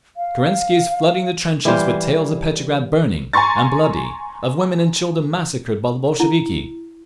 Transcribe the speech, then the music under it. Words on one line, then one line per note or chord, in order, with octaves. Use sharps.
Kerensky is flooding the trenches with tales of Petrograd burning and bloody, of women and children massacred by the Bolsheviki.
F5
E3 G3 C5 F5
G#5 A#5 C6 C#6 A6
E4